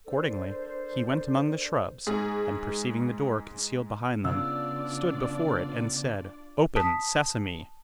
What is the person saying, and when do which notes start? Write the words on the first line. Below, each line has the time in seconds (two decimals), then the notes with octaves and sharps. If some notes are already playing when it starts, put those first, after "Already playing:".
Accordingly, he went among the shrubs, and perceiving the door concealed behind them, stood before it and said, "Open, Sesame!"
0.07 D4 A4 A#4 C5
2.07 G#2 G#4
4.25 C#3 B3 D4 F4 D5 E6
6.76 A5 D#6 B6